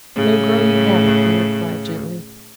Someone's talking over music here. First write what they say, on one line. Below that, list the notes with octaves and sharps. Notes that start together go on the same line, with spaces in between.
"No, girl, you haven't," he replied gently.
A2 C#3